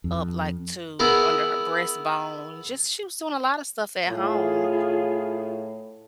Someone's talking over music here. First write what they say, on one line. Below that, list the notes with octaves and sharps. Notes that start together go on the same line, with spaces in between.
up, like, to, under her breastbone, just she was doing a lotta stuff at home,
F2
B3 E4 G#4 A#4 F#5
A2 F4 G#4